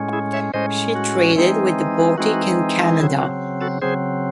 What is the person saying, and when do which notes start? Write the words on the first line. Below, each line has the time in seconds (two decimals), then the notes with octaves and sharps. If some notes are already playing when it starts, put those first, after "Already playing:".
She traded with the Baltic and Canada.
Already playing: A2 G#3 C#4
0.13 E4 G#4
0.33 C#5 E5
0.54 A2 G#3 C#4 C5 D#5
0.95 F#4
1.36 E3 G#3 C4 D#4
2.18 E3 G#3 C4 D#4 F#4
3.00 C#3 F#3 C4 E4 G#4
3.21 F#4
3.61 F#4 A4
3.82 C#3 F#3 C4 G#4 C5